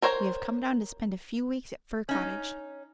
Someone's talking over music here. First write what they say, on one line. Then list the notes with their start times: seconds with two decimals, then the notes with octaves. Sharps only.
We have come down to spend a few weeks at Fir Cottage.
0.02 A#4 C5 C#5 F#5 A#5
2.09 C#4 D#4